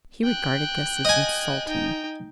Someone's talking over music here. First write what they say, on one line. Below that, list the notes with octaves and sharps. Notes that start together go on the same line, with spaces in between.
He regarded this as insulting.
G5 F#6
D#5 G#5
D#4 G5